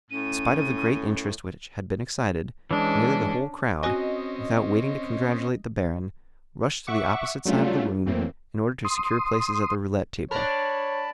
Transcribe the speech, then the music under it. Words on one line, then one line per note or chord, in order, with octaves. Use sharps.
In spite of the great interest which had been excited, nearly the whole crowd, without waiting to congratulate the baron, rushed to the opposite side of the room in order to secure places at the roulette table.
A2 C#4 D#7
E3 G#3 C#4 D4
C4 C#4 F#4 D#5 G#5
E5 F#5 C#6 D6
F#3 G3 A3 C#4 D4 F4
F2 E3 F#3 A3 A#3 C4
C6 D#6
D4 A#4 C#5 A5 B5